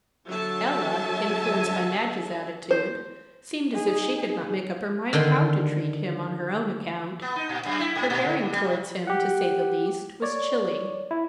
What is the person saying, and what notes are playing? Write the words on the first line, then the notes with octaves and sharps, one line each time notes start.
Ella, influenced by Madge's attitude, seemed as if she could not make up her mind how to treat him on her own account; her bearing towards him, to say the least, was chilly.
D3 F#3 A4 E5 A5
C5
D#4 G#4
D3 D#3 G5 C6
B3
D#4
A#2
F#2
E4
G#2
A#2
D3
G2
G3
C3
G4 F#5
C#5 D5
E4